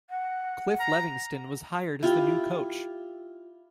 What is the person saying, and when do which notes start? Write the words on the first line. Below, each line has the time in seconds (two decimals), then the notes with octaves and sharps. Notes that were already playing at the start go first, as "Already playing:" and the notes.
Cliff Levingston was hired as the new coach.
0.10 F#5
0.80 A#5
2.03 E4 F4 G4